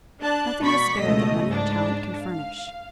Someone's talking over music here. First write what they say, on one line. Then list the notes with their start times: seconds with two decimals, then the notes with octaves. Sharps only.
Nothing is spared that money or talent can furnish.
0.21 D4 A5 F#6
0.63 B2 D5 B5 C#6 B6
0.99 C#2 B2 A3 D#5
1.47 G#2 D4
2.21 F5